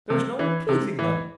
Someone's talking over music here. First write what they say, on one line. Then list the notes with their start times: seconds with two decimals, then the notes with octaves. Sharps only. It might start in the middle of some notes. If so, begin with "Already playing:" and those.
There's no pleasing them!'
0.10 C3
0.39 E3
0.69 C3
0.99 E3